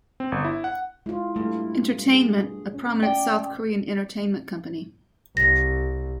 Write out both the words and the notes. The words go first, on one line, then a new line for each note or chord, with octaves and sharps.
Entertainment, a prominent South Korean entertainment company.
C4
G1
E4
F#5
G#3 E4 F4
G2 A3
G#4
C#4
D5 G5
C2 A#6